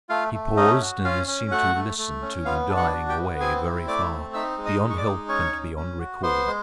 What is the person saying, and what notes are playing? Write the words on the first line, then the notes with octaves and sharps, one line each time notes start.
He paused, and seemed to listen to them dying away very far--beyond help and beyond recall.
A3 F4 F5
A3
C#4 D#4 D#5
F#4
C#4 F4 F5
C#4
A3 F#4 F#5
A3
A3
C#4
B3 F4 F5
D4
F#4 F#5
F#4
G4 G5
B3
C4 G#4 G#5
E4
A3 D5 D6
C4
D#4 E5 E6
G#3
D#5 D#6
G#3
C#6
D5 D6
D#4
C#4 C#5 C#6
C#4
C#4
F#4
B3 C5 C6
G#3